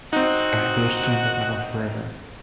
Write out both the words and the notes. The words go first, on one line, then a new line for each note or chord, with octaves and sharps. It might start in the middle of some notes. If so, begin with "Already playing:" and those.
I had wished to win that medal forever.
C4 D#4 F#4